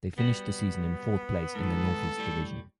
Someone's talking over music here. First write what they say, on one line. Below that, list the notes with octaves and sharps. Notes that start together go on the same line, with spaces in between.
They finished the season in fourth place in the "Northeast Division".
G3 B3 F#4
G#2 D#3 A4
A2 G3